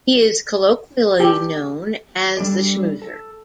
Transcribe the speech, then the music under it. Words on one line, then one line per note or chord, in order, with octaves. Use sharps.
He is colloquially known as The Schmoozer.
G4
G3 D4 A4 D5
A4